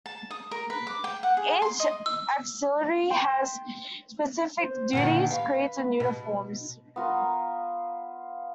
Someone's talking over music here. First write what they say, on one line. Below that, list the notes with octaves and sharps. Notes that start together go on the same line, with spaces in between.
Each auxiliary has specific duties, creeds and uniforms.
A5
D#6
A#4
B4
D6
G5
F#5
G#4
C6
D#5
E6
G5 C6 E7
C5
A#2 D3 D#3 F#5
B4 F5
B2
B3 F4 A#4